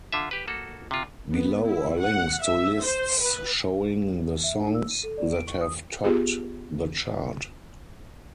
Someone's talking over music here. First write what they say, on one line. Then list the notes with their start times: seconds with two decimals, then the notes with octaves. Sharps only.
Below are links to lists showing the songs that have topped the chart.
0.12 D3 F4 E5
0.31 G4 B4
0.48 A#3 F#4 A4
0.91 C3 F4
1.32 B3
1.66 E4
2.00 F#5
2.42 E5
2.82 C5
3.21 B4
4.44 E5
4.57 D#4
4.74 E6
4.91 D#7
5.03 A4
5.18 D5
5.33 D7
5.47 C#6
5.61 D#6
6.04 B3 F4 G4 G#4